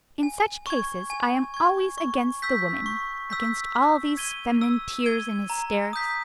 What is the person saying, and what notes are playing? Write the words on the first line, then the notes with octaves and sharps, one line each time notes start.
In such cases I am always against the woman, against all these feminine tears and hysterics.
G#5
C#6 G#6
G#5
C#6 G#6
C#6
E6 G6 B6
C#6
E6 G6 B6
E6
G#6 D#7 G7
E6
G#6 D#7 G7
A#5
D#6 G6 B6